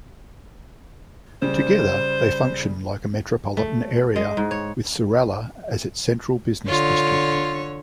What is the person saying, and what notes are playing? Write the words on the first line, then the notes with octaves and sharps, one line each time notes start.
Together they function like a metropolitan area with Surallah as its Central Business District.
C#3 G3 C5
A3
G#3
G#2
C#5
D3 F4 C#5